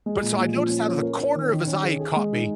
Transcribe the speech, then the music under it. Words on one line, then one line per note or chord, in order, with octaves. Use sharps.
but, so, I noticed out of the corner of his eye, he caught me,
G#3
A#2
A#2
F3
C#4
C#4
A#4
C#4
D#3
D#3
C#4
G#4
G#4
G#3
D#4